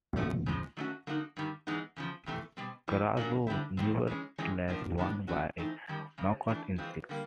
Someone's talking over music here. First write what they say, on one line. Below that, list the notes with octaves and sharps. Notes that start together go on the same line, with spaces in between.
Carazo nevertheless won by a knockout in six.
C#3 F3 A3 C#4 F#4
C#3 F3 G#3
D#3 F#3 A3 C#4 F#4
D3 F#3 A#3 D#4 F#4
G2 D#3 G3
G#2 E3 G#3 B3 D#4
E2 C#3 F3
E2 C3 E3 A3
B2 G3 C4
A2 E3 G3
A#2 F#3 A#3 D4
D3 G3 C4 E4
E2 B2 G3 C4
E3 G#3 C#4
C3 E3 G#3 C#4
A2 F3 A#3 D4
F#2 D#3 G3 B3 D4
G#2 E3 A3 C#4 F#4
E3 A3 C4 D#4
F#2 D#3 G3
F#2 C#3 G#3
E3 A3 D4
E3 G#3 C4 F4
D3 G3 A#3